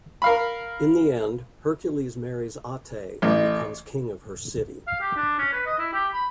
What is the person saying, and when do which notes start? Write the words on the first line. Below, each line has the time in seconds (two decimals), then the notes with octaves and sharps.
In the end, Hercules marries Ate and becomes king of her city.
0.22 A#4 F5 B5
3.22 A1
4.87 F5
5.01 G4
5.16 D4
5.38 C#4
5.53 B4
5.66 D#5
5.78 E4
5.93 G4
6.13 B5